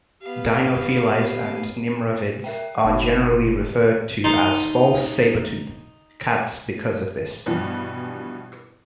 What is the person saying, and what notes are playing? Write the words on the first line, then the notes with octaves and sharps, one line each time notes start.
"Dinofelis" and nimravids are generally referred to as "false saber-tooth" cats because of this.
B3 G4 F5
A#4 E5 G5
F#1 G#3 D#4 F#4
D#4 A5 C6
G2 B2 E3 F3 G3